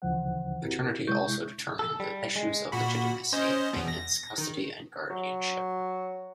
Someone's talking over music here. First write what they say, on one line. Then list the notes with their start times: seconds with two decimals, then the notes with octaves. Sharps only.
Paternity also determine the issues of legitimacy, maintenance, custody and guardianship.
0.02 D2 C#3 E3 F3 C5 F#5
0.62 C4 E4 F#4 G4 A#4
1.07 C3 G#3 E4 C#6 G6
1.79 A4
2.00 G3
2.36 G#3
2.72 A#2 F#4 B5
3.33 C#4 C5 D#5
3.73 E2 B2
3.88 A#6
4.38 D#3
5.10 F#3